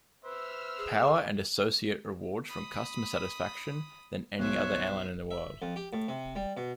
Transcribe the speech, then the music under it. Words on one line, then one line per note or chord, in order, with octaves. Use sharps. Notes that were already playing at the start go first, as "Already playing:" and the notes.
Power and Associates awards for Customer Satisfaction than any other airline in the world.
B4 C5 E5 E6 F6
G#4
B5 D#6
B1 C5 C#5 E5 F#6
E5
F2
G4
A2
C3
G3
B2